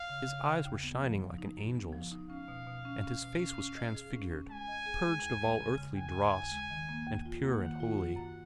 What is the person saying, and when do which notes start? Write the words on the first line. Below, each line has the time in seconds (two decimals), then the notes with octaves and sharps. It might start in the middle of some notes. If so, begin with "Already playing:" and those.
His eyes were shining like an angel's, and his face was transfigured, purged of all earthly dross, and pure and holy.
Already playing: F5
0.10 C#3
0.28 C#3
0.47 C#3
0.65 D#2
0.83 B3
1.01 F3
1.19 F3
1.38 D#4
1.57 F#2
1.75 B3
1.93 F3
2.12 D#4
2.30 C#4 F5
2.48 B2
2.67 B2
2.85 C#4
3.03 C#4
3.21 B2
3.40 C#4
3.58 C#4
3.77 D#5
3.95 G#4
4.13 C#4
4.32 C#4
4.49 G#3 G#5
4.68 D#5
4.86 G#4
5.05 G#3
5.23 D#2
5.41 G#3
5.60 C#3
5.78 C#3
5.96 D#2 G#5
6.15 D#2
6.33 D#2
6.51 G#3
6.70 D#3
6.89 A#3
7.07 D#2
7.26 F4
7.43 A#3 F#5
7.62 D#3
7.80 F4
7.98 F4
8.16 F#2